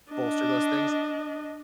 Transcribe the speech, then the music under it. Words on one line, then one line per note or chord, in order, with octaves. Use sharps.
bolster those things.
D4 D#5